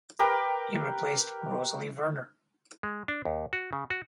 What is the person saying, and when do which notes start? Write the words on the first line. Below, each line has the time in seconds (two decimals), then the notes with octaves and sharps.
He replaced Rosalie Verner.
0.19 G4 A#4 B4 G5
2.83 G#3
3.08 D4
3.25 D#2
3.53 F#4
3.73 C#3
3.90 F#4